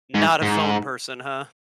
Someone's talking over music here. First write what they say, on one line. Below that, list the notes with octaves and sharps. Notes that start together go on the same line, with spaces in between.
Not a phone person, huh?
G#2
G#2